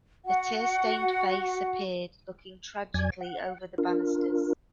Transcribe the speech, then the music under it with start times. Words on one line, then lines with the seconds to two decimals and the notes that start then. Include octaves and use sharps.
A tear-stained face appeared, looking tragically over the banisters.
0.25 F#4 F#5
2.94 F2 F#3 D5 G#5 G#6
3.21 F#5
3.78 D4 F4 A#4